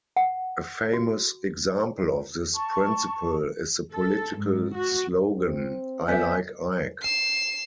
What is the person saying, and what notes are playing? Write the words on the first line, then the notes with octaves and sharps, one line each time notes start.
A famous example of this principle is the political slogan I like Ike.
F#5
F#4
A5 C#6
A4
G#2
F#4
C4
B3 D5 E5 G#5 G6 B6
C7 E7